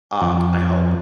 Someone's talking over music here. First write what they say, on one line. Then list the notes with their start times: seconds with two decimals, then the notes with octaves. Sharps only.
um, I hope,
0.21 F2